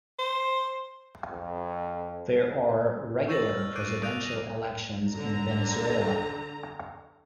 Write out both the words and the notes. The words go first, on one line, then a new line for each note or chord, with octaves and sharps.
There are regular presidential elections in Venezuela.
C5
F2
C#6 E6 G6 A6 A#6 F#7
F6
D6 F#6 G6 C7 D7 D#7
D#6 F#6 G6 D7 D#7 F7
A#6 D#7
D3 A#5